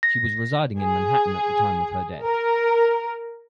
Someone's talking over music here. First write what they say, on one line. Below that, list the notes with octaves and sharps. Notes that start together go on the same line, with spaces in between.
She was residing in Manhattan at the time of her death.
A#6
G#4
A#4